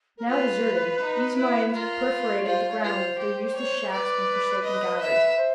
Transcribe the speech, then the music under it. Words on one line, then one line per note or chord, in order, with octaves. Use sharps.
Now deserted, these mines perforated the ground with their useless shafts and forsaken galleries.
A#4
F4 B4
D#4
E4
B4
F4 A#4
B4
C#5
F4 C5
C#5
F4 B4
C5
G4
C#5
B4 D5
D#5
E5
C5